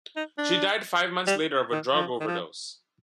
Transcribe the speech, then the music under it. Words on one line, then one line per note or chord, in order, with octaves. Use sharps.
She died five months later of a drug overdose.
D#4
D4
G3
D#3
F3
D#3
F3